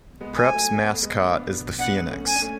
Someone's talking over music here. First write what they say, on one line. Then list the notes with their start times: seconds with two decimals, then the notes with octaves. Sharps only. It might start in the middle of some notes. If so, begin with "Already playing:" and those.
Prep's mascot is the Phoenix.
0.21 G#3 B3
0.37 G#5
0.52 F#3 A3
0.84 B3
0.93 A3
1.02 G#3 B3
1.32 B3 D4
1.78 B3 D4 F#5
2.04 B3
2.10 A3 C#4
2.26 G#5
2.35 D4
2.42 A3 C#4